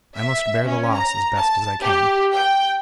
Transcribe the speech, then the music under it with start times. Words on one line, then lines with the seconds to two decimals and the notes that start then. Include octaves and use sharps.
I must bear the loss as best as I can.'
0.15 E5
0.64 C#4
0.93 A#5
1.36 A5
1.82 G4
2.32 G5